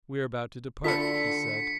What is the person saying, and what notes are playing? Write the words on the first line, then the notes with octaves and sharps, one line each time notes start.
"We're about to depart," he said.
D3 F4 A4 B5 B6 C#7